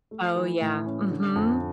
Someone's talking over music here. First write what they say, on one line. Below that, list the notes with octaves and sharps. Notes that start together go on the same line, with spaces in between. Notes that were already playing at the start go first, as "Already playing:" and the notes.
Oh, yeah, mhm.
A3
E3
A2
C#4
D3
F2